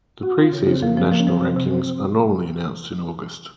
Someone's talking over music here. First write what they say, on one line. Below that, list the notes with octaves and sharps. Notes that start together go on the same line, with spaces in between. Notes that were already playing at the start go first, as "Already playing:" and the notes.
The preseason national rankings are normally announced in August.
C4 F#4
C4 F4
C#3
C#3 C4
F3 A#3
F3 C4
F3 A#3
C#4
F3 C4
C3
C3